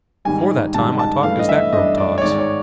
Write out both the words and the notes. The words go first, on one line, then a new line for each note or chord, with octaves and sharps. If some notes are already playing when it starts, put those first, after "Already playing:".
Before that time I talked as that girl talks.
G#2 D#3 G3 G#5
G#2 D#3 G3 A5
A5
G2 E3 A3 D4 F5
D#5
E5
G2 E3 A3 D4 D#5
D5
C#5
G#2 D#3 G#3 D5
C#5